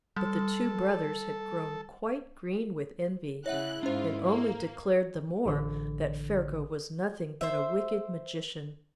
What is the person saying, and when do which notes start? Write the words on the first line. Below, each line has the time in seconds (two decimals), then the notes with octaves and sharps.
But the two brothers had grown quite green with envy, and only declared the more that Ferko was nothing but a wicked magician.
0.17 G3 A4
3.46 C#3 E4 C#5 E5 F#5 F#6
3.83 G#2 C#4 F4 C5
4.26 A#3
5.46 A1 D3
7.41 C5 E5